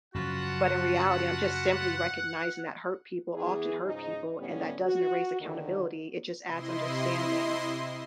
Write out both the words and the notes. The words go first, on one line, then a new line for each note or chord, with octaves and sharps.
but in reality, I'm just simply recognizing that hurt people often hurt people, and that doesn't erase accountability, it just adds understanding.
F#2 C#3 F3 F4 F#4 F#5 A5 B5
E3 B3 E4 G#4
G#2 C#3 F3 D#4
A2 D3 G3 B3 C#4
F#4
D#2 D3 D#3
C3 E4 D#5 C6